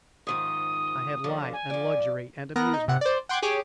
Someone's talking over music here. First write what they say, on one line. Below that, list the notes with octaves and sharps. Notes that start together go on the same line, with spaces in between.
I had light and luxury and amusements.
G#2 D#3 F3 D#6
D#2 D3 F3
G#5
F3 D5
B3 A#4 F#6 A#6
D#4
C3 F#5
C5 D5
F#5 G5 C6 D6 F#6 G#6
G4 G#4 C#5 D6